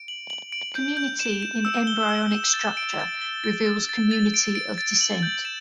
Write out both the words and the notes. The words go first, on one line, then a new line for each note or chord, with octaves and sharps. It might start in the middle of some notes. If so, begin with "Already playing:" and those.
Community in embryonic structure reveals community of descent.
Already playing: D7
F#7
F#7
D7
G6
G6
E7
E7
E6
G7
E6
E7
A6
D7
A6
G7
A6
A6
A6
A6
D7
D7
A6
F#7
G6
E7